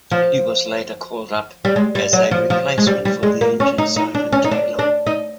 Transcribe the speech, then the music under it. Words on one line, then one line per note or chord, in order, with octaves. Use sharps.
He was later called up as a replacement for the injured Simon Taylor.
F3
G3
G#3
G3
F#3
F3
F3
G#3
G3
G3
G#3
A#3
C#4
D#4
D#4
D4
C#4
D#4
D4
D4
D#4